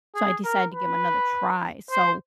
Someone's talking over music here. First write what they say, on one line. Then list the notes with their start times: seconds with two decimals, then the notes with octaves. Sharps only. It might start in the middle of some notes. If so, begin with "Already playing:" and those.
So I decided to give 'em another try, so
0.16 G#4
0.45 A#4
0.74 B4
1.91 C5